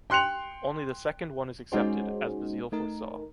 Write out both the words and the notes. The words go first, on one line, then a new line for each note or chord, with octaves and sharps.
Only the second one is accepted, as Bazille foresaw.
G5 C6 F#6 C#7 F7
G#3 C#4 D#4 F#4 G#4 C5
A3 D#4 A#4